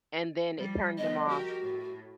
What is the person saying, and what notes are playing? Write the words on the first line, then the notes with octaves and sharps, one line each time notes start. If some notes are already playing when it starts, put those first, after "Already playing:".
and then it turned them off.
F3 G3
F3 A3 B3 D#5
F#4 G4 A#4
A2